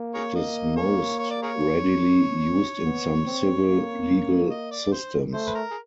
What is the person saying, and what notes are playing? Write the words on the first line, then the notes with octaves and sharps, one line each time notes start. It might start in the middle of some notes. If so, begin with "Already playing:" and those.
It is most readily used in some civil legal systems.
Already playing: A#3
G#4 A#4 C#5
D#5
C#5
C#5
D5
G#4 A#4 C#5
B3
C4
A#3
D#5
D5
C5
A3 C5
B4
A#4
G#4